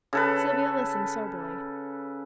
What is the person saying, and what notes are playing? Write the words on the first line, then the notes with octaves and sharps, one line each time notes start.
Sylvia listened soberly.
C#3 A4 B4